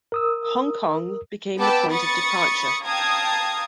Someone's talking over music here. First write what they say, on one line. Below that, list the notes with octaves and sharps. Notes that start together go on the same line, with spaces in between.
Hong Kong became the point of departure.
A#4 D#6 E6
B3 B4 G5 A5 D6 E6
B5 C#6 D#6 A6 C#7
F5 G5 A5 A#5 D#6 G#6